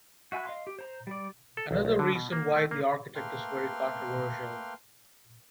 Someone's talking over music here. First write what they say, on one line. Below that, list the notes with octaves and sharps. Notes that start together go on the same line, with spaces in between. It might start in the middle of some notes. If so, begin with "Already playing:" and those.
Another reason why the architect is very controversial.
F#4 E5 G#5 B5 F#6
D#5 F5 C6
G4
C5 A#5
G3 D5
A4
B1
B1
D3
B2
A#3
A3
A#3
A3 A#3 B4 G5 C6 F6